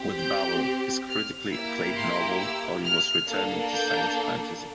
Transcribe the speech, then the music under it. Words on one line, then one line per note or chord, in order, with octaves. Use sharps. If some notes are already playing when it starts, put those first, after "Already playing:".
With "Babel", his critically acclaimed novel, Colin was returning to science fantasy.
Already playing: C4 G4
G6
F6
A#3 E4 G4 E6
C6
E6
F6
A#3 D4 A4
G6